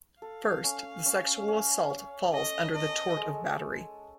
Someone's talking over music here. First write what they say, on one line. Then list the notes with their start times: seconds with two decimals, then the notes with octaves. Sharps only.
First, the sexual assault falls under the tort of battery.
0.21 A4 F5
0.64 C#4
1.06 C#4
1.48 C#4
1.90 C#4
2.32 A4 D#5
2.75 A4 D#5
3.17 G#3